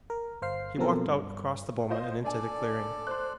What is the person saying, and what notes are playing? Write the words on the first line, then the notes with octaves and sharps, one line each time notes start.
He walked out across the boma and into the clearing.
A#4
G1 C5 F5 C7
B2 F3 F#3 C4 A4 A#4
G2
F4 C5 D#5
D4 A4 D5 G#5
C5 C6 F#6